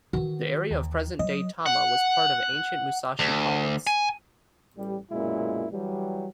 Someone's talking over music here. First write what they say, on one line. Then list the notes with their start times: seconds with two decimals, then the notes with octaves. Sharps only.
The area of present-day Tama was part of ancient Musashi Province.
0.13 D#3 E3 F#4
0.71 D#2
1.19 F#3 D#5
1.66 F#5
3.19 D2
3.87 G#5
4.75 A1 G3
5.11 B1 F#2 A#2 G#3 E4
5.73 E3 F#3 G3